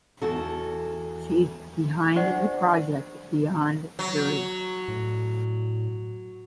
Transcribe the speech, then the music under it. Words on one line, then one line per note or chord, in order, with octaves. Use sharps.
She is behind the project Beyond Curie.
E2 F#4 A4
D4 G4 C5 D5 F#5
F#3
A2